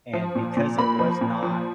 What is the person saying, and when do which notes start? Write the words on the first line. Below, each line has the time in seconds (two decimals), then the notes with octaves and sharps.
And because it was not
0.13 F3
0.35 A#2
0.57 A#2
0.78 A#3 B5
0.99 F3
1.21 A#2
1.43 F3